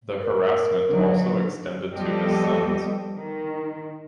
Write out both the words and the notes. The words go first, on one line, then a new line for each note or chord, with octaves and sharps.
The harassment also extended to his sons.
A#4
D3 F#3 D#4
F3 G3 B3 G4 A4 D#5
D#3